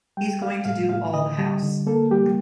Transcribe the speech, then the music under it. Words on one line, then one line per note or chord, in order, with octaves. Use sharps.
He's going to do all the house.
G3 G5
G3 F5
A2 F5
A2 F5
D3 D#5
G3
D3
A#3 A4
G3 G4